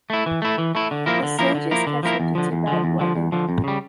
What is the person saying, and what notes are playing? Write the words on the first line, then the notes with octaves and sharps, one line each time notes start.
The stage is cancelled due to bad weather.
A3 E4
E3
A3 E4
E3
A3 E4
D3
F3 A#3 E4 A#4
D3
F3 A#3 E4 A#4
D3
F3 A#3 E4 A#4
D3
F3 A#3 E4 A#4
E2
D3 F3
E2
D3 F3
E2
D3 F3
E2
D3 F3
F2
C#3 G3